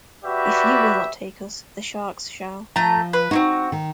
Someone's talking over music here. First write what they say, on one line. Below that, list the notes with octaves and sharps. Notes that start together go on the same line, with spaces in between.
If you will not take us, the sharks shall.
F#4 G4 B4 D5 E5
F3 A3 A#5
B4
C4 D#4 E4 F#4
D#3